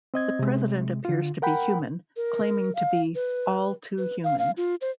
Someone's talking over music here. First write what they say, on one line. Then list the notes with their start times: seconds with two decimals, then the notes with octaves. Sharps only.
The president appears to be human, claiming to be "all too human".
0.14 C4 D#5 G#6
0.39 C3 G#3
1.05 D3 F4
1.42 A#4 F#5 G5 B5
2.17 A#4
2.75 F5
3.15 B4
3.98 B4
4.24 F5
4.39 F5
4.57 F4
4.81 C5